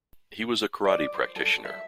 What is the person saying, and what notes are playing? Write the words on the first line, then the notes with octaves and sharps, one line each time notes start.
He was a karate practitioner.
D5
C5
A4
E5